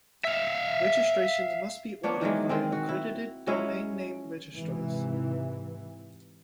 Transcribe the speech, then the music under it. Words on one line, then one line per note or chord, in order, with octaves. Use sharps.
Registrations must be ordered via accredited domain name registrars.
E5 F5
A#3 B3 D4 C#5
D#3 E3 F#3 G#3
D#3 G#3 C4
F#4
E4
F#3 G#3 C#4 E4
G#2 C3 E3